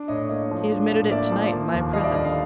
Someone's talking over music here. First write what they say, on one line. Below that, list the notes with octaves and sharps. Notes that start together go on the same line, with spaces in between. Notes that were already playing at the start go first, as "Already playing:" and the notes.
He admitted it tonight in my presence.
Already playing: D4
A2 C#5 D#5
A#3 C#5 D#5
F3
D4
A2
A#3 D5 E5
F3
A#3
D#2
G3 D#5 F5
D5 E5
D3 D#5 F5
D#5 F5